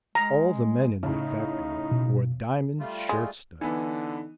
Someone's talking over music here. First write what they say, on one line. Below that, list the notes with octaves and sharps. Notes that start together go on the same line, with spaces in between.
All the men in that factory wore diamond shirt-studs.
G#3 A#5
A2 C#3 D#4
B2
G3 A3 F4
G#3
D3 E3 B3 D#4